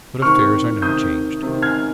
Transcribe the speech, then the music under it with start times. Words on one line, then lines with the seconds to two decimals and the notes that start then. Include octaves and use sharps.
But affairs are now changed.
0.22 C3 D#3 C#6 F6
0.82 C3 D#3 D#6 G6
1.43 C3 D#3
1.62 F6 G#6